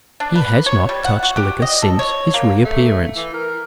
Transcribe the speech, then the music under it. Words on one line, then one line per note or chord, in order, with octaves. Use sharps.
He has not touched liquor since his reappearance.
D4
B4
C#5
G3
F#5
F#4
G4
D#5
A4
C#5
A#3
A3
E3
A#4